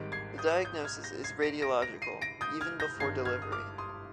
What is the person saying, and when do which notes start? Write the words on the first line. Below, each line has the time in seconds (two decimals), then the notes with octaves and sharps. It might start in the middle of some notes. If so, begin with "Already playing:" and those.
The diagnosis is radiological, even before delivery.
Already playing: G#1 G#2 D#3 G3 D7
0.12 G#6 C7
0.38 D#6 G6
0.65 D#6 G6
0.84 F6 G#6
1.04 G6 A#6
1.24 G#6 C7
1.43 A#6 D7
1.62 A#6 D7
1.82 A#6 D7
2.02 C7 D#7
2.22 A#6 D7
2.41 D#6 G6
2.61 F6 G#6
2.80 G6 A#6
2.99 G1 G2 D#3 G#6 C7
3.25 F6 G#6
3.42 D#6
3.52 D6 F6
3.78 C6 D#6